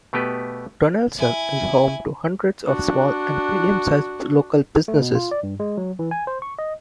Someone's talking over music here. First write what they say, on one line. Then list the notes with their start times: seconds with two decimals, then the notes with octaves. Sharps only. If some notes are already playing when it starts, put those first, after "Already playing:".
Donelson is home to hundreds of small and medium-sized local businesses.
0.13 B2 A3 B3 G4 B4
1.17 E4 G#5
2.66 D4 F#4
4.88 A3
5.02 B2
5.15 F4
5.31 D5
5.43 G2
5.60 G#3
5.77 F#3
5.99 E3
6.11 G#5
6.27 C5
6.42 C#6
6.59 D#5